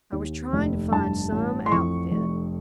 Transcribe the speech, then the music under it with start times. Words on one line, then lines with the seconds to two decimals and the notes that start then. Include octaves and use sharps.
I was tryin' to find some outfit.
0.12 D#2
0.53 F1
0.92 G2 A5
1.32 A1
1.66 C6
1.72 F2 C#6
2.11 F1